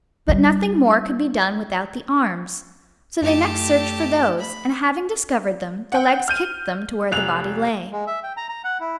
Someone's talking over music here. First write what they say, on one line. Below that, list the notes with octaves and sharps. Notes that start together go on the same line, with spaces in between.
But nothing more could be done without the arms; so they next searched for those, and, having discovered them, the legs kicked them to where the body lay.
G3 E4
F#2 A3 E4 G4 A5
B5
F#5 G5
F6 G6 D#7
F1 F#6 F7
G#3
E5
G5
A#5
A#5
F#5
E4